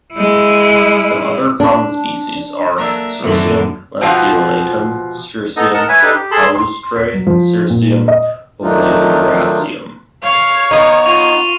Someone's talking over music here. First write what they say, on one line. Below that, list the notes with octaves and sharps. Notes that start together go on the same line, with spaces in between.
Some other common species are: "Cirsium lanceolatum, Cirsium palustre, Cirsium oleraceum".
G#3 E4
D4
F#3 A#3 D4 A4 E5 A#5
F#2 A2 D3 D#3 F#3 C4 B5
G#2 B2 F3 C4 F4
B3 D#4 A4 D#5
A#4 D#5 F#5 A5
B4 C#5 E5 G#5
D4 D#4 G4 A4 B4
G4
G#4 A4 A5 B5 C6
C6
B6
F#3
F3
A#2
D#5
D#3 F#3 A3 D4 D#4 F4
C#5 F5
B3 D#4
F4 C#6 F7